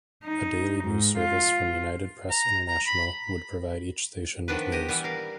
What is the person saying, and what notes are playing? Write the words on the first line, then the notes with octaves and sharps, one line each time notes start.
A daily news service, from United Press International, would provide each station with news.
D#4
G#2
F4
A#5
A#5
B5
D#3 F3 B3 D4 B4
G4 D#5
E3 G3 B3
A#4 F5